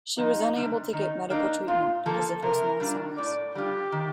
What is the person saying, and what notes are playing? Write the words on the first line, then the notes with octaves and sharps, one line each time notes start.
She was unable to get medical treatment because of her small size.
F2 D#4
C3 G3 D4
D#3 D#4
A#3 D4 D#4
A#2 F4
F3 A#3 A4
C3 A#4
G3 D4 F4
A2 D5
G3 D4 F4 G4
D#3